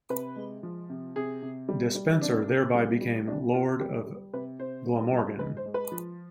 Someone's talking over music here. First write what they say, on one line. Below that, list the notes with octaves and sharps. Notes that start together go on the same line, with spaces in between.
Despenser thereby became Lord of Glamorgan.
C3 B4
G#3
F3
C3
C3 G#4
C3
G3
G3
C3 D4
C3
G3
G3
C3 D4
C3 F4
G3 G4
G3
C3 B4
C3 C5
G3
G3
G#2 B4
C5
G#3
B4
F3